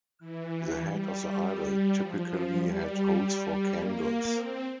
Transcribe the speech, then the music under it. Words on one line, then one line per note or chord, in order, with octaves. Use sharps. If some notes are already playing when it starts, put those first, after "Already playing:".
The head of the idol typically had holes for candles.
E3
G3
G3
F3
F3
G3
A#3
C4